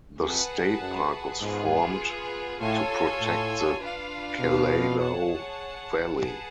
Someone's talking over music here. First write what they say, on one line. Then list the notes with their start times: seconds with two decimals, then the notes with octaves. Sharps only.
The state park was formed to protect the Kalalau Valley.
0.21 F2 G#4 B4 F#5 A5
0.80 F#2
1.40 G#2 B3 F4 G#4
2.60 A2 F4 A4 C#5 G#5
3.20 A2
3.79 D4 F4 B4 F5
4.39 B2
4.98 G#4 C#5 F#5 A5
6.18 G#4 B4 F#5 A5